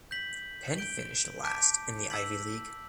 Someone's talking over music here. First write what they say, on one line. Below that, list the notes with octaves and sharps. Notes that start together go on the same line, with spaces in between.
Penn finished last in the Ivy League.
G6 B6 F#7
G6 D7 G7
A5 D6 G6 B6 D7
E6 B6 F#7